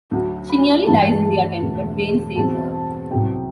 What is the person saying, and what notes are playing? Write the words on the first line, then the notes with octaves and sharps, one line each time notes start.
She nearly dies in the attempt, but Bane saves her.
D2 D3 F#3
B5
G2 E3 A3 A5
E1 E2 D3 A3
E2 B2 G3 C4 A5
C2 C3 F#3 G5